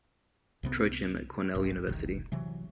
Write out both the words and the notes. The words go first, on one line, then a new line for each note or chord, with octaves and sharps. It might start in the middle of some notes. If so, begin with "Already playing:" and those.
Trochim at Cornell University.
C2 C3 B3 C4
G1 C2 G2
E1 B1 C3 D#3
C3 E3 F#3